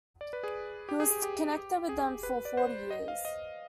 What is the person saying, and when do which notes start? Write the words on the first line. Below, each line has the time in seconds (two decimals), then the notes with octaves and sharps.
He was connected with them for forty years.
0.21 D5
0.33 B4
0.44 G#4
0.89 G4
1.00 G#4
1.11 G#4
1.22 G4
1.89 G#4
2.23 B4
2.45 D5
2.57 C5
2.90 D#5
3.08 F5
3.25 D#5